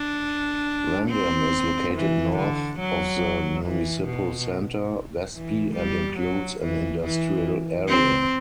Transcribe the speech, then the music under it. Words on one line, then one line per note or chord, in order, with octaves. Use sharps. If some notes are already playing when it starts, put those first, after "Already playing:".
Randem is located north of the municipal centre, Vestby, and includes an industrial area.
Already playing: D4
C4
E3
D3
F#3
E3
B2
E3
G3
F#3
E3
E3
C4